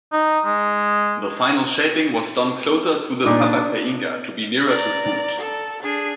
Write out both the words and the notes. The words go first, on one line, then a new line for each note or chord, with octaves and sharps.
The final shaping was done closer to the papakainga to be nearer to food.
D#4
G#3
A#2 D4 D#4 D6
D5 A#5
A4
D4 G#4